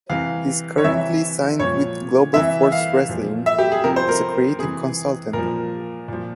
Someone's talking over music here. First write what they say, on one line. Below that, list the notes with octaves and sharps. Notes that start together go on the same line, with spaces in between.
He is currently signed with Global Force Wrestling, as a creative consultant.
C3 E3 F5
C#5
C3 E3 E5
A#2 F3 C#5
C3 E3 E5
E5
F5
A#2 F3
E5
G4
G#4
C3 F3 A#4
C5
A#4
C3 E3 G#4
A#2 F3 A#4
A#2 F3